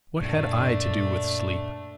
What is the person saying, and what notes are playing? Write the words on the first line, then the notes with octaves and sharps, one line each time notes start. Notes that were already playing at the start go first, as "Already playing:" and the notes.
What had I to do with sleep?
F#2 A#2 A3 D4